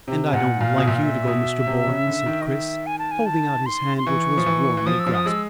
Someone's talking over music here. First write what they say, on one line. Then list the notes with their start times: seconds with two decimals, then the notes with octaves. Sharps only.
"And I don't like you to go, Mr Bourne," said Chris, holding out his hand, which was warmly grasped.
0.08 C3
0.33 A#2 F#5
0.60 A#2 F5
0.78 B2
0.87 A#2 E5
0.95 F5
1.03 E5
1.27 B2
1.67 C3
1.87 C#3
2.07 D3
2.26 D#3
2.41 D#5
2.47 E5
2.86 G#5
2.99 A5
3.11 G#5
3.26 A5
3.66 C6
3.98 C6
4.06 E3 C#6
4.37 F3
4.46 E3
4.77 E3
4.86 F3 D#6
4.99 E6
5.06 F3
5.13 D#6
5.26 G#3 E6